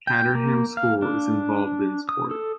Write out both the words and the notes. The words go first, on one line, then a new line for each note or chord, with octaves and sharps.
Caterham School is involved in sport.
G5
A#3
F5
D4
D#6
A4